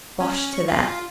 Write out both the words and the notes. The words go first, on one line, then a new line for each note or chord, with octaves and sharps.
"Bosh to that!"
C#4
C#6
F4